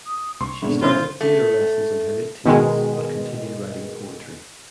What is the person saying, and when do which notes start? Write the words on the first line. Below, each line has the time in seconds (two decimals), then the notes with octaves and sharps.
She started theatre lessons in her late teens, but continued writing poetry.
0.06 D#6
0.41 C2 C6 C#6
0.62 G#1 D2 B2
0.82 C3 C#4 E4 F4 C5
1.21 A3
2.45 B2 D#3 G#3